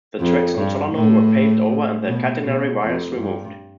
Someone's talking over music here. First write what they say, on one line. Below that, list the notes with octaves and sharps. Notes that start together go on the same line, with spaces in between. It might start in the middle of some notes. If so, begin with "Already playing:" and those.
The tracks on Solano were paved over and the catenary wires removed.
F2
G2
A2
B2
B2
F2
G2